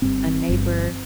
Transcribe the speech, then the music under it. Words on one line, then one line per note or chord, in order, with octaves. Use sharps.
a neighbor.
G1 G2 C4
G1 G2